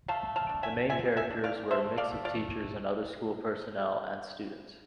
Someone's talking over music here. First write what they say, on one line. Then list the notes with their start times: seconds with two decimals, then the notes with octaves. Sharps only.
The main characters were a mix of teachers and other school personnel, and students.
0.08 A3 F5 A5
0.36 F5 A5
0.49 D4
0.63 E5 G#5
0.90 F3 E5 G#5
1.17 E5 G#5
1.30 D4
1.44 D5 F5
1.71 A3 C5 E5
1.97 D5 F5
2.11 A3
2.25 D5 F5